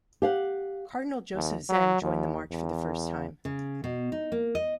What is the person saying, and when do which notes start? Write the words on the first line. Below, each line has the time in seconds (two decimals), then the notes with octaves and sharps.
Cardinal Joseph Zen joined the march for the first time.
0.22 G4 F5 F#5
1.35 D#2
1.70 F#3
2.02 D#2
2.51 E2
3.45 C#3
3.84 B2
4.12 D#4
4.32 A#3
4.55 D#5